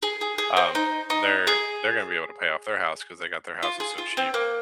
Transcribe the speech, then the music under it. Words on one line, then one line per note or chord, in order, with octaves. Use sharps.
um, they're they're gonna be able to pay off their house 'cause they got their houses so cheap,
G#4
G#4
G#4
C4
D#4
D#4
G#4
F4
G#4
F4
C4
A#3